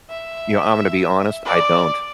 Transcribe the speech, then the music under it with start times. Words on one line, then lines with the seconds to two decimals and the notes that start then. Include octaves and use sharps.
You know, I'm gonna be honest, I don't
0.10 E5
1.45 D5